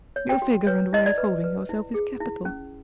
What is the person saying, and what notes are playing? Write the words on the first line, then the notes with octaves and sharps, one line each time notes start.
Your figure and way of holding yourself is capital.
C#5
G5
F#4
B4 C#5
E4 D#5
D5
B4
B4
E4
G#4
E4
C#4